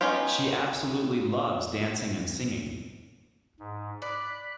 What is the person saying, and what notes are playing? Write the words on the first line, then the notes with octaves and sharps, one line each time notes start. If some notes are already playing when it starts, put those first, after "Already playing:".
She absolutely loves dancing and singing.
B3 C#4 D#4 F4 G4
G#2
D5 B5 F#6